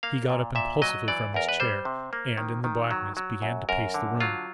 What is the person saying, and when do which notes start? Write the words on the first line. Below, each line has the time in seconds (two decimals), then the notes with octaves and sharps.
He got up impulsively from his chair, and, in the blackness, began to pace the room.
0.03 A#3 F5
0.30 A#2
0.55 A#2 E5
0.82 F#3 D#5
1.08 E3 D5
1.34 E2 A#4
1.49 B4
1.60 G3 C5
1.85 C3
2.13 A#3
2.38 D#3
2.64 D#3
2.91 F#3
3.17 F#3
3.42 F#2
3.69 F#2 A#4
3.94 D3
4.20 F#3 F4